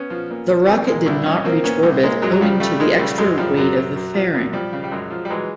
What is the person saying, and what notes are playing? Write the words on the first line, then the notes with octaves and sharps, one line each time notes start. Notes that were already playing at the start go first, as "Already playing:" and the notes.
The rocket did not reach orbit, owing to the extra weight of the fairing.
Already playing: B3 C#4
F3
A#2
F3
C2 A#3 C4
A#2 G#3 A#3
C2 D4 E4
C2 C#4 D#4
F3 A#3 C4
A#2 B3 C#4
C2
A#2 G#3 A#3
F#2 F#3 G#3
F#3
C#3 F3 G3
C#3 G3 A3
F3 G#3 A#3
C#3 G3 A3
F#2 F#3 G#3
F#2 F3 G3
F#2 F#3
F#2 F#3
F#2
F3
F#2
F3 G3
C#3
G3
F#2 F#3 G#3
F3
G3
E3 F#3 G#3